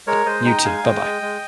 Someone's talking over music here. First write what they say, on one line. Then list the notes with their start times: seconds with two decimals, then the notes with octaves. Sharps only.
Eh you too, bye-bye.
0.07 G#3 A#4 C#5
0.26 G#3 C5 D#5
0.46 D#4 D#5 G5
0.64 G#3 F5 G#5
0.84 G#3 D#5 G5
1.03 G#3
1.22 G#3